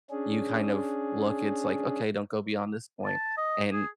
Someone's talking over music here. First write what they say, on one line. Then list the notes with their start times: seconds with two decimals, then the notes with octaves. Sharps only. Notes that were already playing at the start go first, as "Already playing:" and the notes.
you kind of look It's like, "Okay, don't go beyond this point, and
0.11 C#4 D4 G#4
3.05 A5
3.37 D#5
3.73 G#4